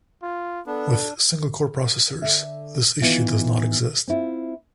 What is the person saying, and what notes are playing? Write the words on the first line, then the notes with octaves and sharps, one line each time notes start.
With single core processors, this issue does not exist.
F4
B3 D4 A4
D3 E5
D#3 E3 B3 E4 F4
C4 E4 F4